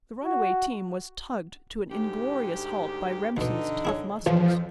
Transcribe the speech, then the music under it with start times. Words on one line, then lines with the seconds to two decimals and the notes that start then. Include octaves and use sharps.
The runaway team was tugged to an inglorious halt by Remsen's tough muscles.
0.24 F#4
1.91 D2 G#2 G4
3.37 D2 B2 D3 D#4
3.85 E4 G#4 C#5
4.26 F2 A2 E3 F3